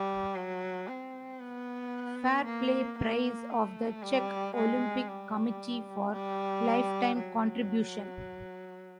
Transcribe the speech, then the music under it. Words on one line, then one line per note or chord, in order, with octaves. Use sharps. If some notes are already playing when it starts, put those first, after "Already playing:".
Fair Play prize of the Czech Olympic Committee for lifetime contribution.
Already playing: G3
F#3
C4
B3
A#3
A#3
A3
G3
G#3
G3
G3
F#3